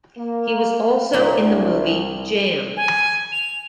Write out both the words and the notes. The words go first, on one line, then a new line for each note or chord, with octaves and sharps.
He was also in the movie "Jam".
A#3
C2 A#3 D4 G4
G#5
F7